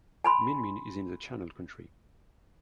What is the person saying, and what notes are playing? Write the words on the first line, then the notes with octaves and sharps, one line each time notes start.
Min Min is in the Channel Country.
G#5 B5 C6